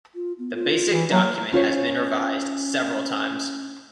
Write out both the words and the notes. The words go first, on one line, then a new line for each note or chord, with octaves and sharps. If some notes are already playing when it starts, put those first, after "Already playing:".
The basic document has been revised several times.
F4
B3
F4
E3
F#3 A#3
C#4 F4 C5 C#5